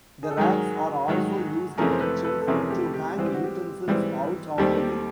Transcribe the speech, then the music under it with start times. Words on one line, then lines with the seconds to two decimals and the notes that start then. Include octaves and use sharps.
The racks are also used in kitchens, to hang utensils out of the way.
0.23 G#4
0.31 A4
0.37 G#2 D#3 F#3 G#4 A#4
1.08 G#2 D#3 F#3
1.78 F2 C3 E3 A3 C#4 G#4 A#4
1.91 C5
2.01 A4 B4
2.24 A4 B4
2.41 A4
2.47 F2 C3 E3 A3 C#4 G#4 A#4
2.61 G#4
2.70 G4 A4
2.94 G4
3.17 G#2 E3 G3 C4 G#4
3.26 G4
3.34 F#4
3.44 G4
3.87 G#2 E3 G3 C4
4.58 D#2 D#3 G3 C4 G4 A4